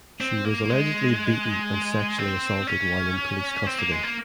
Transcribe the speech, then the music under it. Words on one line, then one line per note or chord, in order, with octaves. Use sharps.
She was allegedly beaten and sexually assaulted while in police custody.
C4
A#3
G#3
C4
C#4
C4
A#3
G#3
A#3